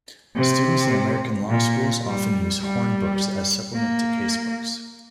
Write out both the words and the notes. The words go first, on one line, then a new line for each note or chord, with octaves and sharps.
Students in American law schools often use hornbooks as supplements to casebooks.
C3
A#2
G3
G3
A#3